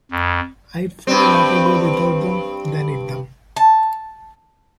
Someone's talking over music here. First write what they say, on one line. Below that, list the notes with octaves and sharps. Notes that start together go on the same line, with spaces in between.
I’d far rather go without them than eat them!
F2
G2 C4
A5